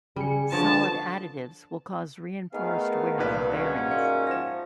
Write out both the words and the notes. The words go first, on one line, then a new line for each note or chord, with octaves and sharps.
Solid additives will cause reinforced wear of bearings.
C#3 G3 G#4 C#7
D3 F3 B4 C#5 D5 A5 D#6 A#6
D#3 A3 B3 D#4 G#4 A#4 F5
C2 G2 A#2 B4
G#2 C#4 D#4 F4 F#4
A#3 D5 E5 C#7
F3 A#6 E7